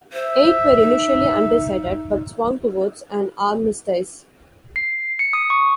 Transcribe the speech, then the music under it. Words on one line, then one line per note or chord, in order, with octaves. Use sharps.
Eight were initially undecided but swung towards an armistice.
C5 E5
D#4
C7
C#7
D#6
C#6